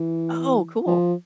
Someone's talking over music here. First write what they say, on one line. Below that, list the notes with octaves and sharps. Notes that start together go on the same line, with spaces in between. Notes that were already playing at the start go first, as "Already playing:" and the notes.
Oh, cool.
Already playing: E3
F3